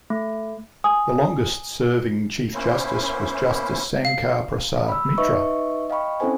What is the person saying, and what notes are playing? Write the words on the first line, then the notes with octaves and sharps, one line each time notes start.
The longest serving Chief Justice was Justice Sankar Prasad Mitra.
A3
G#5 D#6
A#3 B3 C#4 E4 C5
F5
B5 E6
D#4 B4 D#5 E5 C#6
D#5 F5 G5 B5 C#6
C4 C#4 E4 A4 C5 G#5